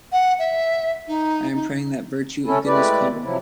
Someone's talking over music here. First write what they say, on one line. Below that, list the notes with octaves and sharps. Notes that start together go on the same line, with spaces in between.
I am praying that virtue and goodness come.
F#5
E5
D#4
D#4
A3 C#4 E4 A4
G#3 A3 E4 G4 B4 D5
B2 D#3
C3 F3 F#3 E4